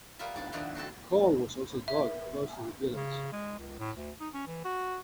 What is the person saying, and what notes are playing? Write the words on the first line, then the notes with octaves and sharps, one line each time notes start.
Coal was also dug close to the village.
G3 A#3 B3 F4 E5
D4 D5
D#3 F3 B3 C4 D4 E4
C4 F#4 A4 A5
E5
C#3
G#3
C#2
A2
D2
D#4
C#4
E3
F#4